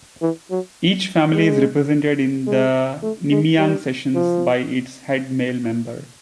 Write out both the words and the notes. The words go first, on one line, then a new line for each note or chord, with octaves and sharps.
Each family is represented in the Nimiang sessions by its head male member.
E3
F#3
G#3
G#3
A3
G#3
G3
F3